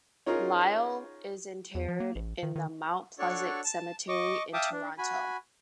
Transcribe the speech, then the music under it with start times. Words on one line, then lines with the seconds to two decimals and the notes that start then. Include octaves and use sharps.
Lyall is interred in the Mount Pleasant Cemetery in Toronto.
0.26 C#4 D#4 F4 G#4 A#4
1.75 E2
1.88 F3
2.00 A#3
2.15 A1
2.43 D#3
2.56 D#3
3.19 D4 F#4 A4 C#5 D5 C#6
3.64 A5
4.08 D#5 C#6 D6
4.54 E5 F5 G5 A5 D6 D#6
4.71 D4
4.98 F#4 G#5 B5